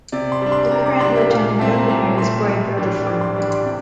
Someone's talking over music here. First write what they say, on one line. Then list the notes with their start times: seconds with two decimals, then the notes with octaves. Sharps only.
The current Lieutenant Governor is Boyd Rutherford.
0.12 C3 D5
0.32 C6
0.42 G3 D4
0.52 C6
0.71 C3 A#5
0.86 D6
1.01 G3 D4 C6
1.16 E5
1.30 A#2 F5
1.59 A3 C4 E4 A5
1.75 A#5
1.89 A#2 A#5
2.18 A3 C4 E4 C6
2.49 A2
2.77 E3 G3 D4
3.07 A2 D6
3.21 C6
3.36 E3 G3 D4 D6
3.51 C6
3.65 C3